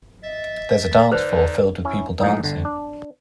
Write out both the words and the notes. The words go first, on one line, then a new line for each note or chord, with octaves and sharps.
There is a dance floor filled with people dancing.
D#5 E5 A6
D3 D#4 B4 C5 D5
C#4 E4
A#1 A2 F#3 D#4
G1 D3
D4